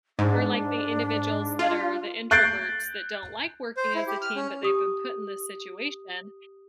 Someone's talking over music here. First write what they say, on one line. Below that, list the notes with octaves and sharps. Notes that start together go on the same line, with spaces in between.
or like the individuals that are the introverts that don't like working as a team, but they've been put in this situation.
G#2 D4
F4
F#6 G6 A6 C7 D7
C5
E4
G4
F6
C#4
G4 D#6